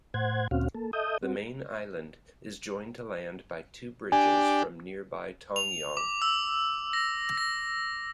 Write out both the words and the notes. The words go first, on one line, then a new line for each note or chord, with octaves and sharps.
The main island is joined to land by two bridges from nearby Tongyeong.
A2 C5 F#5 G#6
D2 A#2 C4 C#4 F#4 F5
A#3 A4
A4 D#5 E5 D#6 G6
C4 F#4
D4 G4 G#5
F7
D6
E6
A#6
A#6